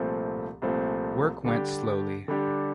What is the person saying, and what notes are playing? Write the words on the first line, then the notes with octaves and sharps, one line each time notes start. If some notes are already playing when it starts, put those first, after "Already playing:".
Work went slowly.
Already playing: C2 A#2 F3 A3 C4
C2 A#2 F3 A3 C4
D3 G3 D4 G4
D3 G3 D4 G4